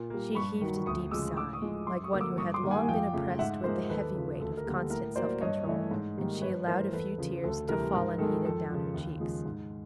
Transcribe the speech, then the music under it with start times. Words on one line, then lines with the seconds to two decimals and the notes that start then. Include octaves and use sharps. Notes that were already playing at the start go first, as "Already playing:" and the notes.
She heaved a deep sigh, like one who had long been oppressed with the heavy weight of constant self-control, and she allowed a few tears to fall unheeded down her cheeks.
Already playing: A#2
0.10 G3 A#3
0.35 G2 B5 C#6
0.61 D#3 F#3
0.86 D2 C#6 D#6
1.11 C#3 F3 G#3 D6 E6
1.37 A2 D6 E6
1.53 C#6 D#6
1.62 F3 G#3
1.87 F#2 C6 D6
2.04 C#6 D#6
2.13 D3 F#3 A#3
2.21 D6 E6
2.38 G2 C#6 D#6
2.54 C6 D6
2.63 D#3 G3 A#3
2.71 F#5 G#5
2.84 G#5
2.88 F2 F5 G5
3.13 C#3 F3 A3
3.39 G#2 E5 F#5
3.64 F3 A#4 C5
3.68 G#3
3.89 D#2 A4 B4
4.14 C#3 F3
4.40 D2 A4
4.57 A#4
4.65 D3 G3 A#3
4.74 A4
4.90 A2 A#4
5.16 F#3 A#3 C5 D5
5.41 G2 C#5 D#5
5.66 E3 A3
5.91 G#2
6.17 D#3 G3 A#3
6.42 G2 B4 C#5
6.67 E3 A#4 C5
6.71 A3
6.92 E2 A4 B4
7.18 C#3 F3
7.44 D2 A4
7.68 C3 E3 G3 A#4
7.94 G#2 A#4
8.18 D#3 G#3 A4
8.44 F2 A4
8.69 C#3 F3
8.94 D#2
9.20 C#3 F3 G#3
9.46 G#2